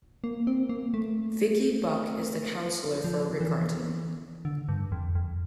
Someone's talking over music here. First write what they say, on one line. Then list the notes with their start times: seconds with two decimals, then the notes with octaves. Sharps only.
Vicki Buck is the Councillor for Riccarton.
0.24 A#3
0.47 C4
0.69 A#3
0.94 A3
3.04 F3
3.40 E3
4.45 D3
4.69 G2
4.92 F2
5.15 F2